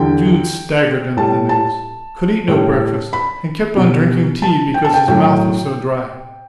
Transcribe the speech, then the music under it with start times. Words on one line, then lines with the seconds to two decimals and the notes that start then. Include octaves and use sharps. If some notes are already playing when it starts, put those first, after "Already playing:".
Jude staggered under the news; could eat no breakfast; and kept on drinking tea because his mouth was so dry.
Already playing: E2 D3 G3 G5
1.17 A2 G3 A5
1.49 A5
2.48 A2 G3
3.13 B5
3.77 B2 G3
4.42 A5
4.74 G5
4.85 A5
4.94 G5
5.08 A2 F#3 G5